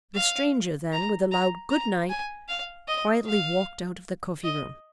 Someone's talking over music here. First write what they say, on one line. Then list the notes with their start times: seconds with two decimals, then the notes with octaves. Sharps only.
The stranger then, with a loud "Good-night," quietly walked out of the coffee-room.
0.15 F5
0.92 A#5
1.32 A#5
1.70 A#5
2.09 G#5
2.49 F5
2.88 D#5
3.27 F5
4.44 D#5